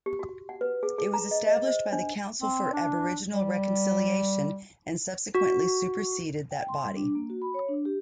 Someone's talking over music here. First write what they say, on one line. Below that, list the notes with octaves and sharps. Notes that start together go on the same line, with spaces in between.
It was established by the Council for Aboriginal Reconciliation and subsequently superseded that body.
G4
F#4
F#5
B4
G#4
G#4
A#5
D#5
D#5
C5
D4
C4
D4
G3
F#4
G5
C6
G3
D4
A#3
F#4
B5
C#5
D4
G4